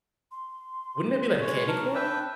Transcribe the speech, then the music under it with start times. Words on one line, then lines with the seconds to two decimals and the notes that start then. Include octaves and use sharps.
wouldn't it be like a candy corn?
0.31 C6
1.41 G#3 C#5
1.68 A#4 A5
1.95 B4 E5 G5